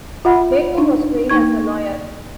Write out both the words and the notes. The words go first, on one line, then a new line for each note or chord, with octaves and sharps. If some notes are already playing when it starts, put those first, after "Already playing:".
Baker was trained as a lawyer.
F4 E5 F#5 B5
D4 D#4
A#3 D#4 C#6 G#6